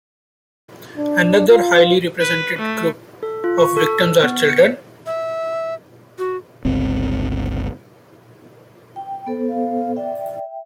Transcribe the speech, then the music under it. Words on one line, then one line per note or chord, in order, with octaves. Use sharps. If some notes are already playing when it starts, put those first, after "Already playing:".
Another highly represented group of victims are children.
D4
F4
B4
A3
A4
F4
C#6
A4
B3
C#7
E5
F#4
G1 C#2 C4
G5
B3 A4 C5
F5
D5 E5 G5